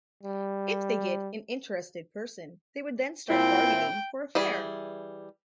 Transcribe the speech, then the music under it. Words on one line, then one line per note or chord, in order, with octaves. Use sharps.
If they get an interested person they would then start bargaining for a fare.
G3
A#2 C4 E4 G5
E3 G3 G#4